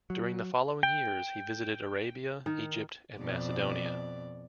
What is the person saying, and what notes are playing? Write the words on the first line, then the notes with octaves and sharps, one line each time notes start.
During the following years he visited Arabia, Egypt and Macedonia.
F#3
G5
D#3
F2 B2 D5